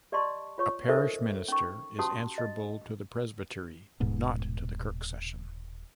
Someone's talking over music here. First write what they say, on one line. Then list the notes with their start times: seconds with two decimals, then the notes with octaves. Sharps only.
A parish minister is answerable to the Presbytery, not to the Kirk Session.
0.12 G4 D5 D#5 A5 C6 C#6
0.58 F4 C#5 C#6
0.89 D#4 A4 A#4 C5 D#5 E5
1.48 C#4 D#4 C#6
1.99 C#4 F#4 G4 A5 C6 D#6
2.38 D#5
4.00 D#1 G#2 B2